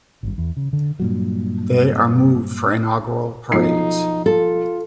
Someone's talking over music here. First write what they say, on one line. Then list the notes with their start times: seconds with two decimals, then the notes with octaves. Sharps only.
They are moved for inaugural parades.
0.23 G#1 G2
0.38 E2
0.57 C#3
0.73 D3
1.00 G2 A#2 F#3
3.52 B1 F3 D#4 C7
4.26 F4 A4